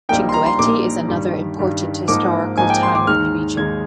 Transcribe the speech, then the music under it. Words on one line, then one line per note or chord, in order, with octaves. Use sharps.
Chinguetti is another important historical town in the region.
A#1 A#2 G3 A#3 D#4 G5
C6
A#5
C6
A#1 A#2 G3 A#3 D#4 D6
G2 D#3 G3
G2 D#3 G3
G#2 F3 A#3 D#4 D6
G#2 F3 A#3 D#4 G#5
G5
C6
D6
D#2 D#3 G#3 D#4 F6
D#2 D#3 G#3 D#4 G#6